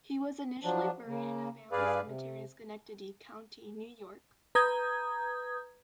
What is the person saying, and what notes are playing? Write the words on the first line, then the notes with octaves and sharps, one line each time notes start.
He was initially buried in a family cemetery in Schenectady County, New York.
F3 F#3 D4
C#3 A#3
G2 G#4 B4 D5 F5
C3
B4 A#5 D#6 G6 G#6